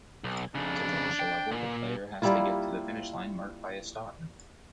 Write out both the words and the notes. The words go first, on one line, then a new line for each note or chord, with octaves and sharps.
To finish a level, the player has to get to the finish line marked by a star.
B1
F2 C#3 D4
G5
A#2
G3 A#3 E4 F4